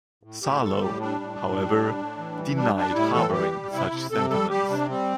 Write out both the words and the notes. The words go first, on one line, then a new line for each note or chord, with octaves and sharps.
Sarlo, however, denied harboring such sentiments.
A2
A2 G4
G3 A4
A2 G4
G3 D4
A2
A2
G3
A2
A2
E3
G3
G3 D4
G3 D4
A2 E4
E3 A4
G3 G4
G3
C3 E4
C3
C3 A4
G3 A4
G3 G4
C3 D4
G3 C4